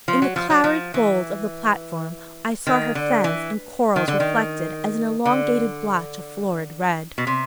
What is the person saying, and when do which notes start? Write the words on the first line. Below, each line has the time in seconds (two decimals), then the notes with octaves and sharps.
In the clarid gold of the platform I saw her fez and corals reflected as an elongated blotch of florid red.
0.08 F3
0.22 F#3
0.36 F3
0.50 F#3
0.64 F3
0.94 E3
2.67 D#3
2.95 D3
3.24 E3
3.96 D#3
4.08 D3
4.20 D#3
5.25 D3
7.18 B2
7.27 C3